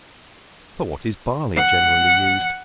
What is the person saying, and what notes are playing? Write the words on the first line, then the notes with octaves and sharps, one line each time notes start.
For what is Barley generally used?
F#5